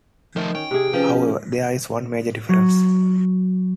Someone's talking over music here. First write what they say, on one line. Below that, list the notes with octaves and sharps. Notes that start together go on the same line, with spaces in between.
However, there is one major difference.
D#3 F3 A3
C#4 G5
C3 G4 G#4
F3 C#4 B4
F#3